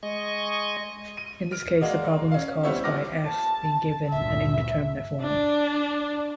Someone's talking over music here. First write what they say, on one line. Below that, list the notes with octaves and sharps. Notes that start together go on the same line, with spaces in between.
In this case the problem was caused by "f" being given an indeterminate form.
G#3 D#5 C#6
D#7
F6 D7
G#3 A#3 F#4 D5 D#5
C#4 F5
G3 B3 C4 E4 C#5 E5
A#1 F#5 D6 F6 A#6
A5
G1 D2 A#2 E5
D4